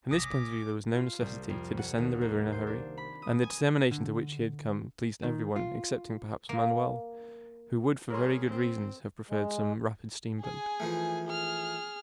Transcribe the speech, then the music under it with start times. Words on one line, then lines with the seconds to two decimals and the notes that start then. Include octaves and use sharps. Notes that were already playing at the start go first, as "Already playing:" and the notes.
From this point of view there was no necessity to descend the river in a hurry. And the determination to which he had come pleased every one, excepting, perhaps, Manoel, who would for very good reasons have preferred some rapid steamboat.
0.11 B1 C3 C#4 D6 D#6 A#6 B6
0.95 F4
1.21 C2
1.49 F2
1.79 F#5
1.98 D#2
2.21 A#3
2.52 C5
2.67 D4
2.98 B5
3.22 D#6
3.43 G#5
3.91 D3
5.24 D#3
5.56 F4
6.49 A#3
8.10 G3 G#4 A#4 C#5 C6
8.46 C4
9.30 G#3
10.41 G#4 G#5
10.80 E3 F3 A3
11.27 G#4 F6